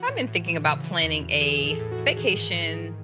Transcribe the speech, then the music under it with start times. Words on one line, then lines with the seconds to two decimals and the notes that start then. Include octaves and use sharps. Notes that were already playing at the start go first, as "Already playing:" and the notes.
I've been thinking about planning a vacation
Already playing: E3 F#4
0.08 A2
0.27 A2
0.46 E3
0.65 C#3
0.84 E3
1.03 E2
1.22 E2
1.41 E3 G#4
1.60 A2
1.66 A4
1.80 A2
1.92 F#4
1.98 E3
2.17 D#3 G#4
2.36 G#2
2.55 G#2
2.74 D#3